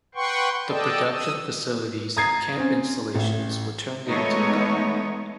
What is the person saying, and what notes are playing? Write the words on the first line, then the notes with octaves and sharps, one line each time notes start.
The production facilities and camp installations were turned in to the government.
B4 F#5 G5 C6 C#6
A4 D5 D#5 G5 A5
D#6 E6
A#5 D#6 G#6 A6 C7
C4 C#4
A1
E3 G#3 A3 B3 D#4 C#5